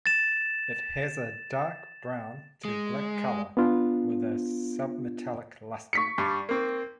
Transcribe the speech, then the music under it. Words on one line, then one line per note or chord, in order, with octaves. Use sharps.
It has a dark brown to black color with a submetallic luster.
A6 E7
G#3
B3 D4 F4
C#6 B6 C#7
G2 G3
A#3 C4